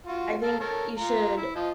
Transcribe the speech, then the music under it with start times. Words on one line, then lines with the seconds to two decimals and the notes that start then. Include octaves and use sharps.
I think you should
0.07 F4 F#4
0.42 A4 A#4 F5
0.60 A4 A#4 C#5
0.98 F4 A#5
1.37 E4
1.55 F3 D#5